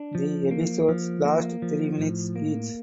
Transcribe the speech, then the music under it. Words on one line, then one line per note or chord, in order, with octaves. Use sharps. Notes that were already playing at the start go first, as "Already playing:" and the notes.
The episodes last three minutes each.
Already playing: D4
F3
A#3
F3
A#3
F3
A2
A#3